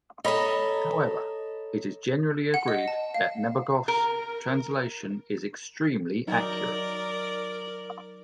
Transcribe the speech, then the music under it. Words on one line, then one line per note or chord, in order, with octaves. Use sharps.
However, it is generally agreed that Nabokov's translation is extremely accurate.
A4 C#5 D#5 A#5 B5
F#5
D#5
A5
F5
A#4
F#3 D#4 A#4 D5